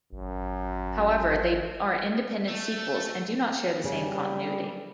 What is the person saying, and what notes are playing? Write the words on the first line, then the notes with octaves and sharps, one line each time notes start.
However, they are independent sequels and do not share the same continuity.
G#1 F#2
A3
C#3 G3